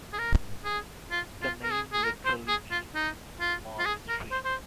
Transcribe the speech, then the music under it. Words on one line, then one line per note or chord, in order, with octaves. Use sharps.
The name literally means "small streams".
G#4
A#4
G#4
F4
F4
A#4
G#4
G#4
A#4
C5
G#4
F4
D#4
F4
F4
G#4
A#4
C5
C5